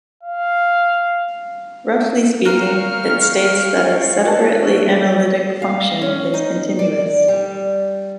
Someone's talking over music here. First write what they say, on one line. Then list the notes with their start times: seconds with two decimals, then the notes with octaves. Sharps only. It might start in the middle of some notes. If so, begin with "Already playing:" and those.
Roughly speaking, it states that a 'separately analytic' function is continuous.
0.23 F5
2.45 A#4 F5 G5 C#6 F6 F#6
4.25 E3 G#3 C4 F#4 A#4 B4 A5
5.62 F5
6.01 C#4
6.34 D#4
6.79 D5
7.28 G3